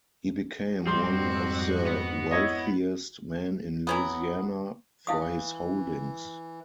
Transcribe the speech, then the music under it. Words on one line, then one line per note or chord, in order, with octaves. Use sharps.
He became one of the wealthiest men in Louisiana for his holdings.
F2 G#2 G3 C4 F#4 C6
B3
E4 C#5 D#5
E3 F#3 B3
E3 E4 F5 D#6